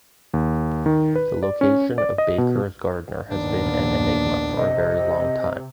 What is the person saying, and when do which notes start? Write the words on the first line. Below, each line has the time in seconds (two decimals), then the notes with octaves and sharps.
The location of Baker's gardener has been an enigma for a very long time.
0.34 D#2
0.86 D#3
1.16 B4
1.43 D5
1.61 C#4
1.98 D5
2.18 D#5
2.38 B2
3.30 A#1 D#2 B3 D4
4.57 C3 D#5